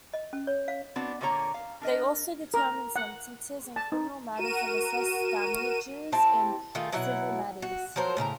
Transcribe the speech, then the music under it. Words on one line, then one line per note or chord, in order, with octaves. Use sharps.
They also determine sentences in criminal matters and assess damages in civil matters.
D#5
C#4
C#5
F5
B3 C4 D4 F#4
A#2 D3 A#3 C#5 A#5
F5
D4 A#4 D#5
A#4
F#5
A5
D#4
F#4 A#4 D#7 E7
C4 E4 G4 A5
D#3 A3 F4 G#4
B2 F#3 E4 F#5
F#4
F3 F#3 A#4 C5
A2 C#3 A#4 A#5